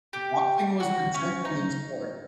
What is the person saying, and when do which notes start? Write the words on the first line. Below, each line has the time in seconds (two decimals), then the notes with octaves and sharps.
boxing was the gentleman's sport.
0.13 G4
0.80 F#4
1.14 C#4
1.45 D#4